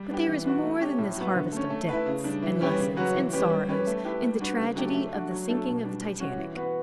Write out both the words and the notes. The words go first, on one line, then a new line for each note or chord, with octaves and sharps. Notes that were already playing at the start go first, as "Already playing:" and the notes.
But there is more than this harvest of debts, and lessons, and sorrows, in the tragedy of the sinking of the Titanic.
Already playing: G3
B3 D4 G4
E3
B3 D4 F#4
A3
C#4 G4
A2
F#3 B3
D3
A3 C#4
A3
E4 B4
C#3
G3 D4
E3
G3 C#4 G4 B4
C#3
F#3 C#4 F#4 B4
E3
G3 C#4 G4 B4
G3
C#4 G4 B4
A3
E4 G4 B4
G3
D4 F#4 B4
C#3
F#3 A3 D4 G4
A3
D4 F#4
F#3
A3 D4 A4
B2
G3 D4
G3
C#4 F#4
E3
B3 F#4 B4